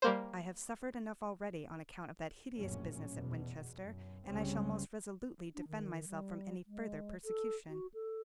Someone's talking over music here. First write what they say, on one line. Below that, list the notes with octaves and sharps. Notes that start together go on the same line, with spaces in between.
I have suffered enough already on account of that hideous business at Winchester, and I shall most resolutely defend myself from any further persecution.
G3 A#3 C5
A#1 F#2 A2 C#4
E2 B2
F#2
G1 C#2 C#3 G3 C4 C#4
D4
D#3
G3
G#3
A4
F#4
A4